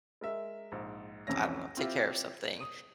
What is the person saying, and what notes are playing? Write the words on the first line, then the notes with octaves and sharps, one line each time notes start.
I don't know, take care of something,
G#3 A#4 E5
A#1 G#2
C2 F2 E3 C#4 A#6
C4 E4 F4 G4 E5
D#6